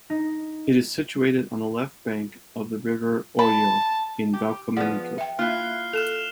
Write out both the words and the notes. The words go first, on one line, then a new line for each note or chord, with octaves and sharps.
It is situated on the left bank of the river Oglio, in Val Camonica.
D#4
A5 B5
G4
F3 B3 G#4 D5 F#5
E5 G5
A#3 E4 F4 F6 F#6 C7
A4 F6 E7 F7